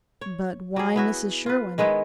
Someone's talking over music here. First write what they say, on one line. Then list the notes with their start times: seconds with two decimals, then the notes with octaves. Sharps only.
'But why Mrs Sherwin?
0.21 C#5
0.76 F#3 G#4
0.96 B3 E4 F#4
1.46 F4 B4
1.78 D#3 G#3 B3 E4